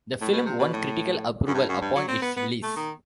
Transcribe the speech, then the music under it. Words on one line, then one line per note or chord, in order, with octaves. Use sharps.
The film won critical approval upon its release.
A2
B2
C3
B2
A2
F#2
G2
F#2
G2
F#3
C4
B3
B3
A3
D#3